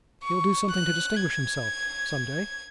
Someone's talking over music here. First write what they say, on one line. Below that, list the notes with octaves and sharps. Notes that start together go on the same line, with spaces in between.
He'll do something to distinguish himself some day.
C#6
F#6
G#6